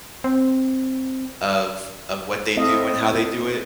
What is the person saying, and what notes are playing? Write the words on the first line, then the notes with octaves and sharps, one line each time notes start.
of of what they do and how they do it,
C4
A3 C4 E4 A4 D#5 F5